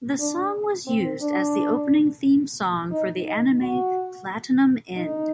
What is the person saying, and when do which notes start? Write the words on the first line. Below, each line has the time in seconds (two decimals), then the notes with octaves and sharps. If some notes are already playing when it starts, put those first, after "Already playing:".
The song was used as the opening theme song for the anime "Platinum End".
0.19 D4
0.87 C4
1.22 D4
2.92 D#4
3.26 D#4
3.60 F#4
4.96 D#4